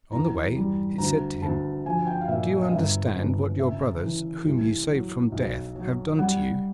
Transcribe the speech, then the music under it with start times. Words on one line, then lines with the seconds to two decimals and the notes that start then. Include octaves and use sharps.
On the way it said to him, 'Do you understand what your brothers, whom you saved from death, have done to you?'
0.12 E2 A#5
0.56 G3
0.98 D2 A#5
1.42 D2 A5
1.86 F3 G#5
2.07 G5
2.21 F5
2.28 A#2 E5
2.50 D#5
2.61 F5
2.72 G1 E5
3.16 G1
3.58 C#3 E5
4.03 E3
4.45 C2
4.89 F#3
5.32 B1
5.75 F#3
6.18 G3 F#5